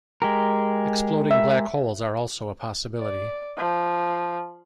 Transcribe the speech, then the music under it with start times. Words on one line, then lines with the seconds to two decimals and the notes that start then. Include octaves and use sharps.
Exploding black holes are also a possibility.
0.22 G#3 G4 A#4
1.31 E5
2.99 D5
3.58 F3